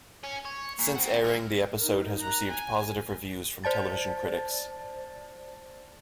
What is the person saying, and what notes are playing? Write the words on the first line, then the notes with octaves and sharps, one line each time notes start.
Since airing, the episode has received positive reviews from television critics.
C#4
C#5
A#2
C4 F#4
A2 A#3
D#4 A#4
A#5 F#6
G#5
C5 D5 A5 A6